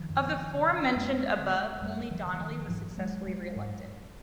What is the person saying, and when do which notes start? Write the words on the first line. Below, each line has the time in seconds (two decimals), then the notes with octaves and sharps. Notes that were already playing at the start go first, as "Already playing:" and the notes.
Of the four mentioned above, only Donnelly was successfully re-elected.
Already playing: D#3 F3
0.09 F#2
0.53 C#3
0.96 F#2 G#3 A#3
1.39 D3
1.82 F#2 G3 A3
2.11 E3 F#3
2.26 D3
2.33 E3
2.40 D#3 F3
2.68 G#2 E3 F#3
2.98 F#3 G#3
3.27 F#3 G#3
3.56 G#2